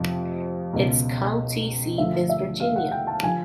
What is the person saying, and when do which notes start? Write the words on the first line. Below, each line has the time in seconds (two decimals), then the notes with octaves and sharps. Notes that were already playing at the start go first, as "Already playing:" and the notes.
Its county seat is Virginia.
Already playing: F2 C3 F3
0.73 C#2 B2
1.98 D2 D3 F3 E5
2.29 E5
2.60 F5
2.76 F#5
2.91 G5
3.07 A5
3.23 D3 F3 G#5